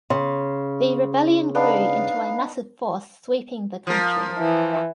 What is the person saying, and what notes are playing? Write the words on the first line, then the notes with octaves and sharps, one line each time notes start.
The rebellion grew into a massive force sweeping the country.
C#3 C6
B3 D4 D#4 F5
F3 A#4
E3